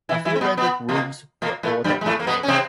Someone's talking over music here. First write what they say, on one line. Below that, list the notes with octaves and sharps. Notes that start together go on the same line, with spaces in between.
A few rendered rooms were all that were made.
E3 E4
E3 E4
C4
B2 B3
B2 B3
A#2 A#3
A#2 A#3
A2 A3
G2 G3
G#3
A2 A3
A#3
B2 B3
C#4
C3 C4